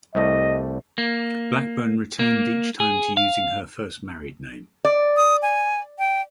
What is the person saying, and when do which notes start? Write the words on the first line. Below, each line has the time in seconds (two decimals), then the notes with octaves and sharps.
Blackburn returned each time to using her first married name.
0.15 C2 G3 A3 D#5
0.98 A#3
2.19 A#3
2.80 G#4
3.17 F5
4.85 D5
5.16 D#6
5.42 G#5
5.99 G5